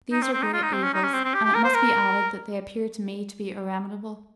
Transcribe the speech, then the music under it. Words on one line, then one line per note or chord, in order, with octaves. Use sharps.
These are great evils; and it must be added that they appear to me to be irremediable.
D#4
C4
C4
D#4
F4
D#4
C4
C#4
D#4
C#4
C4
C4
G4
G4
A#4
C5
A#4